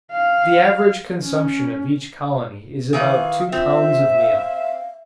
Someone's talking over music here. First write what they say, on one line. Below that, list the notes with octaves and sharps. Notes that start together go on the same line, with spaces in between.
The average consumption of each colony is about two pounds of meal!
F5
C#4
D#3 E3 G#4 F5
C4 F4 E5
F5